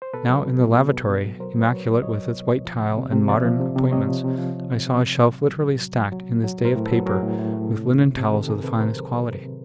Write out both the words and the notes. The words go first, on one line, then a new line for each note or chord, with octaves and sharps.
Now, in the lavatory, immaculate with its white tile and modern appointments, I saw a shelf literally stacked, in this day of paper, with linen towels of the finest quality.
C5
B2 A4 B4
F#3
B2
B2
B2
B2
B2
F#3
F#3 A#4 C5
F#3
B4 C#5
F#3
F#3
F#3 C#5 D#5
F#3
B2
B2
F3
C3
C3
C3
F3 D5 E5
F3
C3
C3
C3 C#5 D#5
F3
C3
F3
C3
C3
C3
C3
F#3
A2
F#3
A2
F#3
F#3
F#3
A2
F#3
A2
A#4 C5
A2
A4 B4
F#3
F#3 G#4 A#4
A2
A2
A2
C3
D#3
C3
C3
D#3 G4 A4
C3 G#4 A#4
C3 A4 B4
D#3 A#4 C5
F#3
F#3
C3
C3